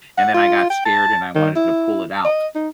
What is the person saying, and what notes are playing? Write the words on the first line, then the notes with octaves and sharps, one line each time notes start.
and then I got scared and I wanted to pull it out,
F#5
F4
G5
A5
D#3
E4
D#5
D#4